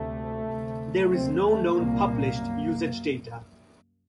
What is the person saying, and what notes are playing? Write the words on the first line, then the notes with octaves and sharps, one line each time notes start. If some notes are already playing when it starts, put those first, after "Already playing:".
There is no known published usage data.
Already playing: D2 C3 A3
D2 C3
D#2 C4
A3
C2 A#2 A#3
F#2